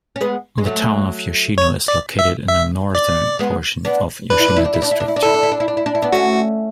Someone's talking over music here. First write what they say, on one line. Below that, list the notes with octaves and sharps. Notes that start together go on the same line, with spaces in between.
The town of Yoshino is located in the northern portion of Yoshino District.
C#4
G#3 B3
G#3
F#3 A3
C#5
D5
E5
E5
D5
G#3 B3
B3 D4
D4 B4
E4
D4
E4
D4
E4
D4
E4
D4
E4
D4
E4 A4
D4
E4
D4
E4
D4
E4
D4
E4
B3 D4
A3 C#4 F#4